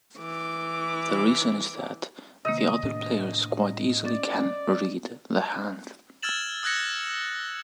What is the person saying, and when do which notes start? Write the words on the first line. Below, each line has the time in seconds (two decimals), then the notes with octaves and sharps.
The reason is that the other players quite easily can "read" the hand.
0.19 E3 D6
2.45 C3 D#3 A#3 D#5
2.83 A2 D4
4.05 C#4 D5 A6
6.23 E6 F6 G#6 A6 E7 F#7
6.63 D#6 E6 F#6 G#6 A#6 C#7